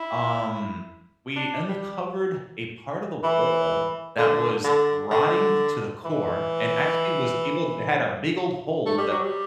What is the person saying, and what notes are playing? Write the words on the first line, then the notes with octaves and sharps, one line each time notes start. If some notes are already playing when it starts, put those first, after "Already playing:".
um, we uncovered a part of the wall that was rotting to the core and actually was able to had a big old hole that
Already playing: E4
D4
G3
E3
D3
D3
D3
E3
A3
G3
F#3
G3